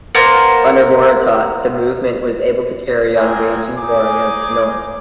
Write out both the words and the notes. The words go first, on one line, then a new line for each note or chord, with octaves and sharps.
Under Muortat, the movement was able to carry on waging war against the North.
A#3 B3 A#4 C5
G#3 A#3 C4 G#5
D#4 G#4 G#5 D6